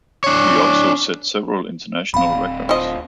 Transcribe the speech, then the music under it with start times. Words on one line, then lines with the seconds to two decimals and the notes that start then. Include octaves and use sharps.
They also set several international records.
0.24 D4 C#5
2.14 D1 C4 F5 B5
2.69 F3 D#5